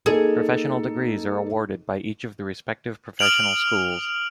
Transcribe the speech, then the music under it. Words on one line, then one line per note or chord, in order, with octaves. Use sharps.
Professional degrees are awarded by each of the respective professional schools.
A#3 D#4 G#4 A4
D#6 F6 D7 F7 F#7